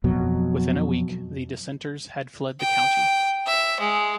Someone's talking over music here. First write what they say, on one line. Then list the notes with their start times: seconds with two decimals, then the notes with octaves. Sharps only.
Within a week the dissenters had fled the county.
0.04 F2 B2 F#3
2.60 G5
3.46 E5
3.80 G#3